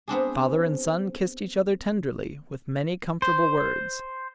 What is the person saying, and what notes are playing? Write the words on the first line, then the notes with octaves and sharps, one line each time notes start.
Father and son kissed each other tenderly, with many comfortable words.
B3 C4 D4 G#4
C5